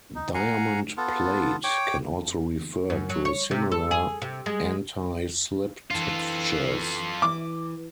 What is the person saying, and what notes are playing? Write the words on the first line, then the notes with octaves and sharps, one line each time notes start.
"Diamond plate" can also refer to similar anti-slip textures.
D#4
F5 F#5 G#5 A#5
B3 F4 A4
C#5 G5 D6
F#2
F#3
C#5
C3
A4
G#4
C3
G#3
E3 D4 F4 A4
E3 D6